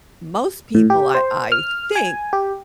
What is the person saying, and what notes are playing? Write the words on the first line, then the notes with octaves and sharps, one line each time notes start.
most people I I think
A2
G4
C5
F6
G#5
G4